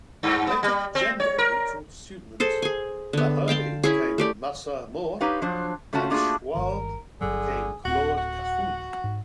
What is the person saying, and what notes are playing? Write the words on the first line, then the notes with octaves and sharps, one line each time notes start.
They took gender-neutral pseudonyms: Malherbe became Marcel Moore, and Schwob became Claude Cahun.
G2
B3
G3
C4
C#5
A#4
G#4 A4 C5
G#4 G#5
D3 B3
F5 G5 A5 C6
C#4 E4 G#4
A3 G4 D5
D#4 G4 B4 C#5 F5
F3 F#3 D4 C5
C#3 A3 C#4 F4 F#4 A5
A3 A#3 D4 F4 F#4 G#4
G1 D#3 A#4
G1 G2 D3 F#3 G#4
D1 C4 F#4 F#5
F#4
G#2